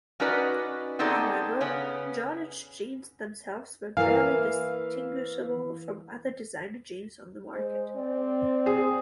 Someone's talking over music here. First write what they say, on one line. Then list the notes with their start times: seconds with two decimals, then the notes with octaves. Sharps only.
However, Jordache jeans themselves were barely distinguishable from other designer jeans on the market.
0.20 C#4 D#4 F#4 B4 D5 D#5
0.99 B3 C4 D#4 G#4 A4 D5
1.61 C#3 B3 C#4
3.97 E3 A#3 E4 A#4 F5 G#5
7.53 G#3 C5
7.95 C4 D5
8.66 G#4